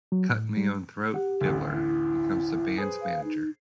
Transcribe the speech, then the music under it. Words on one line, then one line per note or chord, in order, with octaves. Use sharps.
Cut-Me-Own-Throat Dibbler becomes the Band's manager.
F#3
A2
G3
G4 F#5
A1 D2
E4
G#4 B4 C5
F5
D#4